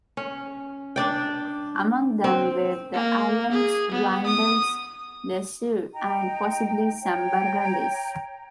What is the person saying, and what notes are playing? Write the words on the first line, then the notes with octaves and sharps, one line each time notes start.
Among them were the Alans, Vandals, the Suevi, and possibly some Burgundians.
C#4
D4 D5 G5
C4
A#3
G#4
B3
D#6
D#4 D#5 G5 A#5
C#5 G5 A#5